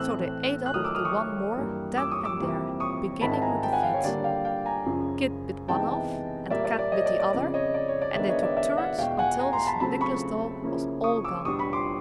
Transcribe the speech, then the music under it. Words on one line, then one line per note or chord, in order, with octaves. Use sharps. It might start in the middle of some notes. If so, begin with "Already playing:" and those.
So they ate up the one more then and there, beginning with the feet. Kit bit one off, and Kat bit the other; and they took turns until the St. Nicholas doll was all gone.
Already playing: A2 E3 A3 C4 E6 F#6
F#6
D#3 F#3 A3 D#6 F6
D6 E6
D#6 F6
C#6 D#6
G2 E3 G3 A#3
D6 E6
C#6 D#6
D6 E6
F2 C3 E3 G3 A#3
C#6 D#6
G#2 D#3 G#3 C4 E4 A5 B5
A5
G#5 A#5
G5 A5
F#5 G#5
F5 G5
C#5
D3 G3 A#3 D4 D5
F5 G5
F5 G5
G#5 A#5
F#2 C#3 F3
C3 E3 G#3 B3 D#4 G5 A5
A#2 G3 A#3 D5 E5
D5 E5
D5
C#5 D#5
D5
D5
F2 C#3 F3 D5
C#5 D#5
D5
C#5
D5
D#3 G#3 B3 D4 D5 E5
C#5 D#5
D5 E5
D5 E5
E5 F#5
E2 B2 G#3 F5 G5
F#5 G#5
G#5 A#5
A#5 C6
A5 B5
C#3 F#3 A3 C4 A5 B5
B5 C#6
C#3 F3 A#3 C#4 E4
C#6 D#6
D6 E6
E2 B2 G3 B3 D4 C#6 D#6
B5 C#6
C6 D6